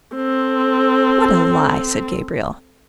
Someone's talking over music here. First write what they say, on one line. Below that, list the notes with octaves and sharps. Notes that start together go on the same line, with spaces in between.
"What a lie!" said Gabriel.
C4 A4